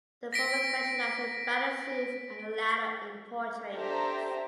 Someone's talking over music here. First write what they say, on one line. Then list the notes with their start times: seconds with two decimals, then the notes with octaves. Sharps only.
The former specialized in battle scenes and the latter in portraits.
0.33 A#6 B6 D7
3.73 D4 G4 A4 C5 E5 A#5